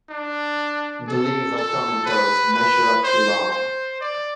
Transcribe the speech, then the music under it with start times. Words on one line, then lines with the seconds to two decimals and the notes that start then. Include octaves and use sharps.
The leaves are tomentose and measure up to long.
0.10 D4
1.07 A4
1.56 A4
2.05 B4
2.54 B4
3.04 C5
3.52 C5
4.01 D5